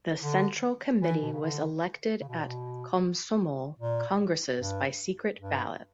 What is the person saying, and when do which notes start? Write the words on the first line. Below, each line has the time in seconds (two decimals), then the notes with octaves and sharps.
The Central Committee was elected at Komsomol congresses by secret ballot.
0.22 D3
1.02 E3
1.23 B2
1.32 C#3
1.41 D3
2.21 C#3
2.29 B2
2.38 A#2
2.45 B2
3.79 A#2
4.59 G2
5.39 G2